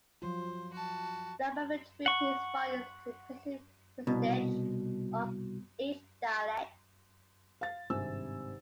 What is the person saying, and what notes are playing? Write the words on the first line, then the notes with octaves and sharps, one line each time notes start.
Labov attributed his findings to the perceived prestige of each dialect.
F3 F#3 F4 C5
F#4 A5
F#5 C#6
C2 B2
F5 A6
G#1 G2 C3 G#5 E6